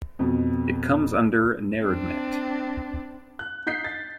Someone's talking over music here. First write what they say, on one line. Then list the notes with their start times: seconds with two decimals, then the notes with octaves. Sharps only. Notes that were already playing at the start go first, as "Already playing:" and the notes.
It comes under Neredmet.
0.19 F2 B2
1.81 C4 D4
3.39 F#6
3.67 D#4 G6 B6 C7
3.84 A6